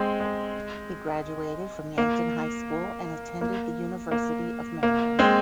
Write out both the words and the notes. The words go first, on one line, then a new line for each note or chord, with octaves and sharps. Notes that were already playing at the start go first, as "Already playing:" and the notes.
He graduated from Yankton High School and attended the University of Maryland.
Already playing: G#3 C4
G#3
A#3
A#3
A#3
A#3
G#3 C4